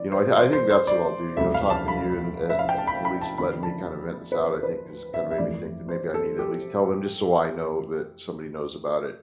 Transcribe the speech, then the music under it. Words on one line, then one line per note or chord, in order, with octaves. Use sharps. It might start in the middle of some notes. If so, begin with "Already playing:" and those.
you know I I think that's what I'll do, you know. Talking to you, and at at least letting me kind of vent this out, I think, has kind of made me think that maybe I need to at least tell them, just so I know that somebody knows about it
Already playing: E3 D5
C5
C5
C5
C5
D5
E1 D2 C3 G3 E5
F5
A5
B5
E5
F5
G5
A5
B5
B5
A5
E2 D3 F3 B5
A5
B4
C5
B4
E5
E5
G1 F2 E3 A3 D5
C5
A4
G4